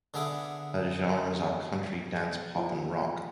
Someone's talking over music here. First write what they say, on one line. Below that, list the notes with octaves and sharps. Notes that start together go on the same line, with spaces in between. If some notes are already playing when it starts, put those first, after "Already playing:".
Her genres are country, dance, pop and rock.
D3 B3 G#4 E5 D6
F3